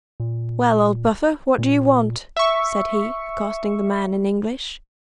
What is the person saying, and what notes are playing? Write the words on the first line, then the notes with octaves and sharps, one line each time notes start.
"Well, old Buffer, what do you want?" said he, accosting the man in English.
A#2
A#2
E5 C#6